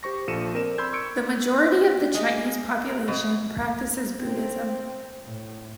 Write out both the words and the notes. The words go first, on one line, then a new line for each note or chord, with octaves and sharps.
The majority of the Chinese population practises Buddhism.
G4 C5 C#6 A#6
A#1 F3 A4 C#7 D#7 E7
C4 A#4 D5 E7
B5 C6 E6 G6 G#6
C#6 E6 G#6 C#7 D7
G#3
A#4
B2
C4
A2